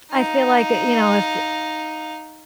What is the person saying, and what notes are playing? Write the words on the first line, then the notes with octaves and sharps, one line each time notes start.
I feel like, you know, if
D#4 F5